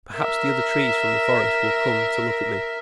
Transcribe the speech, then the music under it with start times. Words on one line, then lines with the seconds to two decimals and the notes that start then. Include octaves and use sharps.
Perhaps the other trees from the forest will come to look at me!
0.15 A#4 E5